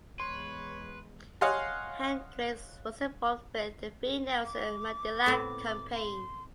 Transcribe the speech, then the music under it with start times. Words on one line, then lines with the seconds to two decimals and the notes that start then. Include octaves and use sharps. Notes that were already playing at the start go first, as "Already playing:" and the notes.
Hendricks was involved with the Free Nelson Mandela campaign.
0.20 E2 G#3 B4 C#5 C6
1.41 C#5 D#5 F5 F#5 G#5 C6
4.45 D6
5.26 A2 B3 C4
5.94 C6